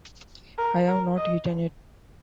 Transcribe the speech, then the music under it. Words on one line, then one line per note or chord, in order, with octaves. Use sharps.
I have not eaten yet.
A#4
A#4
D#5